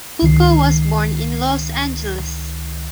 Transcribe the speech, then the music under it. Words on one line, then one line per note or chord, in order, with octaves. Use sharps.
Fulco was born in Los Angeles.
C#2 D#3 C7